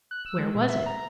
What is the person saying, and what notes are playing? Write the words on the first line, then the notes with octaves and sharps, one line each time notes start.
Where was it?
F#6
E6
G#3
A#2
E5
A#5